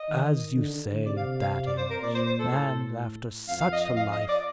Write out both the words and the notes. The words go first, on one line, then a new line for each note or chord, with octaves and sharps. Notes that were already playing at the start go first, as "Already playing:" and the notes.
"As you say at that age, and after such a life."
Already playing: D#5
D#3
D3
C3 D5
F5
F5
D5
C5
A#4
A#2 D5
C5
C5
A4
A2
F2 F5
F5
D#5
D#5
F5
D#5
D5